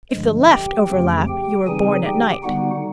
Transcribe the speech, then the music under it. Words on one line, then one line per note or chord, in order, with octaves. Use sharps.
If the left overlap, you were born at night.
G2 D3 F3 G#3
G4 G5
F2 C#3 F3 A3 C#4
G4 G5
C#3 E3 G3 C4 D#4 G#4 G#5
G4 G5
D3 G3 B3 D#4 F#4 F#5